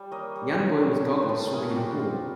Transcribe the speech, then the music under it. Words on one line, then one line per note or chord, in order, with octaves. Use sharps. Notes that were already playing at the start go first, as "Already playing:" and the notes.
Young boy with goggles swimming in a pool.
Already playing: G3
A#3 C#5 D#5
G3
C#4
G3
B3
C5
G3 A4 B4
E4 G#4 A#4
F#4
G3 F4 G4
C4